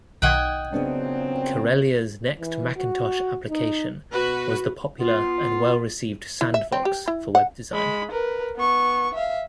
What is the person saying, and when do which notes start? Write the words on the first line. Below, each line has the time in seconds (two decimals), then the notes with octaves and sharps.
Karelia's next Macintosh application was the popular and well-received Sandvox for web design.
0.22 B1 D#3 D#5 F#5 G5 G#6
0.72 A#2 C#3 F#3 B3 C4 D4
2.39 E3
2.76 F#4
3.50 D#4
4.13 B2 F#4 B4
5.00 B3 F4
6.41 E4
6.54 E5
6.72 C4
6.85 G4
7.08 E4
7.35 F#5
7.72 G#3 B5
8.12 A#4 B4
8.56 B3 C#6
9.14 E5 F5